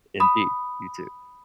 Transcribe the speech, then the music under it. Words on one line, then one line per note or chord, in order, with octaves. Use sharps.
Indeed, you too.
B5 D#6